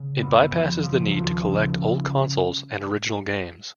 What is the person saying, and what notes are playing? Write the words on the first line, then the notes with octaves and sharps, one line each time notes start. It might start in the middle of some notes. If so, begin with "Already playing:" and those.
It bypasses the need to collect old consoles and original games.
Already playing: C#3
F#2 B3
F#2 F3
C#3 F3
F#3
D#2 F3
C#3
C#3